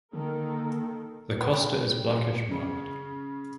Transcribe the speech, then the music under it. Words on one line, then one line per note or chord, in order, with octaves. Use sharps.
The costa is blackish marked.
D3 D#3 A#3 A4 A#4
B3
G3
C#3